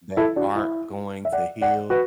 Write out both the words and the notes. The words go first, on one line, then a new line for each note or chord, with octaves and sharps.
that aren't going to heal
E4 A4
D4 F#4
E4
E5
D5 F#5
D5 F#5
F#4 B4